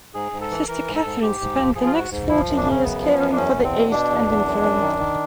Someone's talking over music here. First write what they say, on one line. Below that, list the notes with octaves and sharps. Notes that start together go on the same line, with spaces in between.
Sister Catherine spent the next forty years caring for the aged and infirm.
G#2 G#4
G#2
A4
E3
E3 A#4
G#2
A4
G#2
G#2 G4
G#2
F3
F3 G#4
F4
G#2 F#4
G#2
F3 E4
F#2
D4
C#3 C#4
F#2 B3
F3
F#2
D4
E2 C#4
E2
C4
B2
B2 D4
E2
E2
F#2
F#2
D#3
D#3